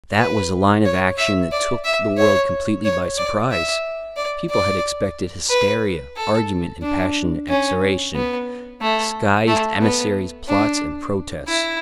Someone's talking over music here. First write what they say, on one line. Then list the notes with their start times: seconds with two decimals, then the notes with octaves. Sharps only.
That was a line of action that took the world completely by surprise. People had expected hysteria, argument, and passionate exhortation; disguised emissaries, plots, and protests.
0.18 B4
0.85 C#5
1.18 E5
1.52 D5
1.84 E5
2.18 C#5
2.84 C#5
3.18 D5
3.51 E5
4.17 D5
4.51 D5
5.49 B4
6.16 A4
6.82 D4
7.49 C#4
8.15 B3
8.82 A3
9.47 A3
9.82 B3
10.48 D4
11.48 E4